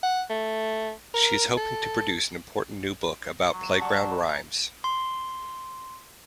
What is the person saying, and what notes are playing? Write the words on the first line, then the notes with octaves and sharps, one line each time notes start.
She is hoping to produce an important new book about playground rhymes.
F#5
A3
A#4
A4
F#3
G3 F#5 A5
G#5 A#5
C6